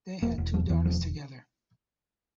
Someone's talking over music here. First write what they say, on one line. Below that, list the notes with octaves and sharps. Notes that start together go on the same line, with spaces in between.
They had two daughters together.
E1 A#3
E1
E2 F3
E2 E3
E1 F3